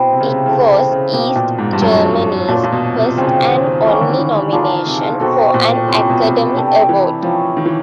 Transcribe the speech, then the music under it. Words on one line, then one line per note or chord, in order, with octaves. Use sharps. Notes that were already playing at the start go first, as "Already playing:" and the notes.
It was East Germany's first and only nomination for an Academy Award.
Already playing: B2 C4 E4 G4 B4
C3
C#3
C3
C#3 A3 C4 E4
C#3
B2 A#3 D#4 G4
A#2
G#2
G2
F#2 F#3 A3 C#4
G2
A#2 F#3 A#3 D4 F4
A#2
B2
C3
C#3 C4 D#4 G#4
D#3
E3 A#3 C#4 E4 G#4
D#3
D3
D#3
E3
D#3 A#3 D4 F4 G#4
C3
B2 C4 D#4 F#4 A4
A#2
C3 C#4 E4 G4
B2
C3
C3 G3 B3 D4 G4
E3
F3 A#3 C#4 E4
D#3
E3